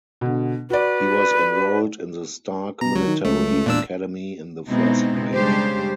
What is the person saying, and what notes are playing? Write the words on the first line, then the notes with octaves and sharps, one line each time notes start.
He was enrolled in the Stark Military Academy in the first grade.
B2 D3
F#4 B4 D5
B2 A#5
C#2 F#3
D#3
C#2 A3
E1 A#2 D4 E6
B2 G#3 B3 C4 D#4 E4
C#3 G3 G#3 D4 G4 C5